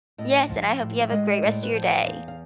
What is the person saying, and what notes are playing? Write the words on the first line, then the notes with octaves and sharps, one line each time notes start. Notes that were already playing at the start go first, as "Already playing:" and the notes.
yes, and I hope you have a great rest of your day.
A2 D#5
F3
A2
E5
G#3 D#5
A2 D5
B4
F3 C5
E2 F5
F5